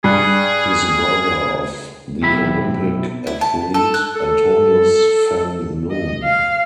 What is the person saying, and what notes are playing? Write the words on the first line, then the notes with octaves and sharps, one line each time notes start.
He is the brother of the Olympic athlete Antonius van Loon.
G2 G#4
B1 C3 E4 B5
E4
A5
A4
F#6
A4
D#5
F5